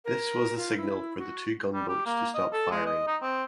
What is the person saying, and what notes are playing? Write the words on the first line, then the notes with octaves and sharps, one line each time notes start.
This was the signal for the two gunboats to stop firing.
A#4
F4
E4
F#4
G3
G4
A#3
D#5
A4
G#3
D#5
D#4
C4